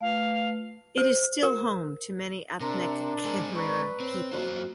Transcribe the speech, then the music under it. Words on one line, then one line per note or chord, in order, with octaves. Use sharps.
It is still home to many ethnic Khmer people.
A3 F4 B4 F5
C5
A#4
C3 D4 A#4 A#5 C6
G#3 C4 G#4
B4 D5 A#5 C#6
C4 C#5
F#2 A#3 F4 F#4 C5